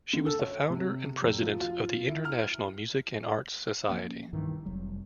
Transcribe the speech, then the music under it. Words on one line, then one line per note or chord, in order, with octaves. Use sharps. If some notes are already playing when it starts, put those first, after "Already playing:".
She was the founder and President of the International Music and Arts Society.
D3
A4
C#5
C3
F1
F3
F4
E4
F6
F3 A#3 C#4
B1 G2 D#3 E3
F1 F#3 G3